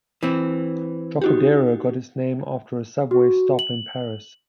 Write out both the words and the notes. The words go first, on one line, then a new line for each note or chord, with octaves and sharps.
Trocadero got its name after a subway stop in Paris.
E3 C4
D#4 F#4 G4
F#4
F#7